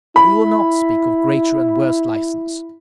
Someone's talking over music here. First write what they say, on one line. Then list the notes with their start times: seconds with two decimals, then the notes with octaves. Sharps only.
We will not speak of greater and worse license.
0.16 E4 B5